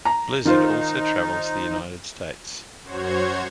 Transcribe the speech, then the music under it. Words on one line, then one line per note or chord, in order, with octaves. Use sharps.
Blizzard also travels the United States.
A#5
D#3 D#4 F4 C5
F#2 F#4 C5 C#5 G#6